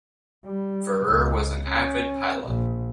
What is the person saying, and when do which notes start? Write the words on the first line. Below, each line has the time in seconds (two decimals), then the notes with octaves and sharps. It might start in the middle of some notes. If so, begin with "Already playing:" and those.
Furrer was an avid pilot.
0.45 G3
1.07 C#2
1.68 C#4
2.45 A#1